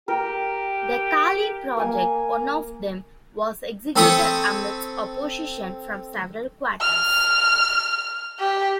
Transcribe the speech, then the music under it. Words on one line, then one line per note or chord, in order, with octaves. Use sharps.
The Kali project, one of them, was executed amidst opposition from several quarters.
G4 A#4 G5
A#3 G#5
C4 A4 B5 C#6 D#6
F6
G4